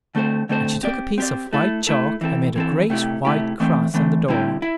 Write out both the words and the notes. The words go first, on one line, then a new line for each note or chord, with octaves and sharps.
And she took a piece of white chalk and made a great white cross on the door.
D3 A3 C4 A4 C5
D3 A3 C4 A4 C5
C4 G4 D5
C4 G4 D5
A3 E4 A4
A3 E4 A4
E3 C4 A4
E3 C4 A4
C3 A3 E4 G4
C3 A3 E4 G4
E3 A3 C4
E3 A3 C4
D3 G3 C4 E4 G4
E4